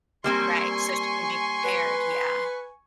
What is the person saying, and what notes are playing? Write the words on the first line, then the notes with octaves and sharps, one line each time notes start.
Right, so she can be prepared. Yeah.
G3 A#3 C4 G#5 C6 C#6
B4